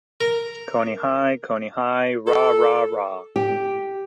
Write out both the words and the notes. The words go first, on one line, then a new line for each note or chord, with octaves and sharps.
Cony High, Cony High, rah, rah, rah!
A#4
A4
G4